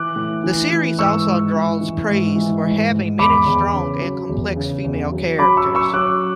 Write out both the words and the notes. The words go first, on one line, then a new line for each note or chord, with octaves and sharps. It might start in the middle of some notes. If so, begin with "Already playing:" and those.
The series also draws praise for having many strong and complex female characters.
Already playing: E3 D6 F#6
A2
E3
E3
G#2 C#6 E6
G#2
E3
E3
G#2
E3
G#2
G#2
E2 B5 D6
E2
C#3
F#3
E2
C#3
E2
F#3
F#3 B5 D6
C#6 E6
F#2
C#6 E6
F#3 D6 F#6